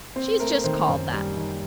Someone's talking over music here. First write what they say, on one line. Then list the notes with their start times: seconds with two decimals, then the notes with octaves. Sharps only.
She's just called that.
0.16 C4 C5
0.40 A3 A#4
0.64 D#3 C5
0.88 F#2 C5
1.12 G3
1.36 D#3